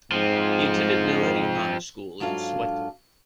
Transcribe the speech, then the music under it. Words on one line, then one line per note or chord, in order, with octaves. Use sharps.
He attended Naledi High School in Soweto.
G#2 F3 C4
G#2 F#3 D4 F4 A4 F5